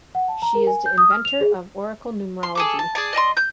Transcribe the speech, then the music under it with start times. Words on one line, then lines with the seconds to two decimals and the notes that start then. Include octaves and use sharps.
She is the inventor of Oracle Numerology.
0.15 F#5
0.28 A5
0.42 A#5
0.55 A#4
0.67 G#5
0.86 G6
0.98 D#6
1.11 F6
1.25 F7
1.41 G#4
2.43 C6
2.55 G#4 A4 D6
2.79 A5
2.95 G#4 D5 A5
3.13 D5 D#5 A5 C6
3.37 G6